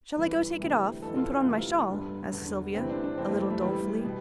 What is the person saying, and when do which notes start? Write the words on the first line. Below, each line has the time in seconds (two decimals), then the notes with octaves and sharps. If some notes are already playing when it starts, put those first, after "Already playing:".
'Shall I go take it off, and put on my shawl?' asked Sylvia, a little dolefully.
0.17 G1 G2 E3
0.59 D2 C3 E3
1.02 F1 F2 E3 A4
1.17 F4
1.32 F4
1.46 D2 C3 E3
1.89 G1 G2 D3
2.32 E1 E2 D3
2.75 D2 C3 E3 C4
2.90 D4
3.04 D4
3.18 F1 F2 E3 C4
3.29 A3
3.39 G3
3.50 A3
3.61 A1 A2 E3 G3
4.05 B2